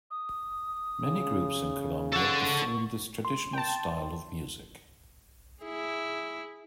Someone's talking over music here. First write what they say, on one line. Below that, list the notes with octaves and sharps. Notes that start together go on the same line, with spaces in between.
Many groups in Colombia perform this traditional style of music.
D#6
C#3
A4 F#5 C#6
C6
G5 A5
E4 G#4